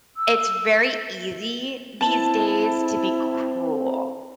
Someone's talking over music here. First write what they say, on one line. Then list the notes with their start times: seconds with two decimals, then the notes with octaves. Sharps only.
it's very easy these days to be cruel.
0.17 E6
2.01 C4 E4 A5